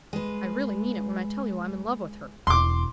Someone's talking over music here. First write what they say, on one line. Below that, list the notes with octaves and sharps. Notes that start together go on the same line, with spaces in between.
"I really mean it when I tell you I'm in love with her."
G#3 B4
E1 C6 D6